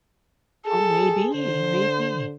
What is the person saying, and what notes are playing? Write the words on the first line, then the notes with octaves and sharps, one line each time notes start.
Oh, maybe, maybe.
G#4 A4
D3 C5